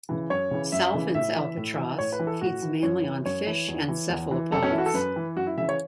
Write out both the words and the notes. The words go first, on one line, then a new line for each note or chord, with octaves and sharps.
Salvin's albatross feeds mainly on fish and cephalopods.
C#3 E3
F#2 C#5
C#3 E3
F#2 E5
C#3 E3
A2 E5
E3
A2
E3
A2 C#5
B4
E3
A4
A2 F#4
E3
F#2 C#5
E3
F#2 C#5
E3
E2
E3
E2
E3
F#2 A4
C#4
E3 E4
F#4
A4
F#2 B4
E3
F#2 F#4
E4
C#3 E3 E5
C#5